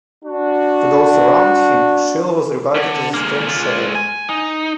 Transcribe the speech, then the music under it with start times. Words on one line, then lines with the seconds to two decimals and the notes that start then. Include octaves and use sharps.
To those around him, Schiele was regarded as a strange child.
0.25 D4 F#4
2.75 D3
3.14 G#3 A#3
3.49 G#3 F4
3.95 G#5
4.29 D#4